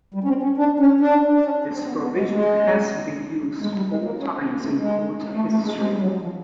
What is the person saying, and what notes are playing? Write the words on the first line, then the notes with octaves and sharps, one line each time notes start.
This provision has been used four times in Court history.
G3
C#4
C4
C#4
D4
C#4
D4
D4
C#4
D4
C4
B3
B3
G#3
G#3
G#3
G3
G#3
A#3
C#4
C4
B3
A3
G#3
A3
A3
G#3
G#3
G3
F#3
F3